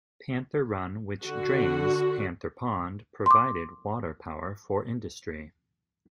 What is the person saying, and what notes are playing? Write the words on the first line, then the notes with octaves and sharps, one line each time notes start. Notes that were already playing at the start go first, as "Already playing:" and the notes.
Panther Run, which drains Panther Pond, provided water power for industry.
D3 F#4
C6 D6